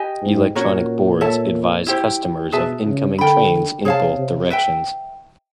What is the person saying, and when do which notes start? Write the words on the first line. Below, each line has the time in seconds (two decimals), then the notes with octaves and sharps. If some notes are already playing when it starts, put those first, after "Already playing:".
Electronic boards advise customers of incoming trains in both directions.
Already playing: G4 B4 D#5 G#5
0.22 G#2
0.55 A#2 C#4 F#4 A#4 C#5
1.21 A4 C#5 E5 A5
1.87 E4 G4 C5
2.52 B2 G#4 B4 E5 A5
2.86 C#3
3.18 D3 A#4 D5 G5 B5
3.85 C3 G#4 C#5 F5 A5
4.18 C3
4.50 B4 E5 G5